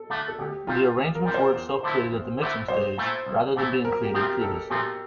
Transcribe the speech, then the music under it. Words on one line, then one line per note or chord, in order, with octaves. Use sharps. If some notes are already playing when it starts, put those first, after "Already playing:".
The arrangements were itself created at the mixing stage, rather than being created previously.
Already playing: A4
D3 A3
A4
D2 G4
C3 G3 F4
D2
A#4
C3 G3
C5
E2
D3 A3 E4
E2
D3 A3 E4
C2 C5
A#2 A3 E4
C2
A#2 A3 E4
C2 A#4
G4
A#2 F3 A3 C4
G4
C2 A4
A#2 F3 A3 C4 G4